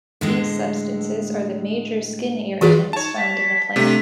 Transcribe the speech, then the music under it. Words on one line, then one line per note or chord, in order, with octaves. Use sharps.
These substances are the major skin irritants found in the plant.
A2 D3 G#3
E3 F4 F#4 G#4 B4 D5
D#4 C#5 A5
B6
C3 A3 D4